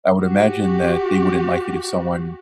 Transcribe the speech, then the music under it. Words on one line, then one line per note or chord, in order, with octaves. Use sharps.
I would imagine that they wouldn't like it if someone
F#4 G4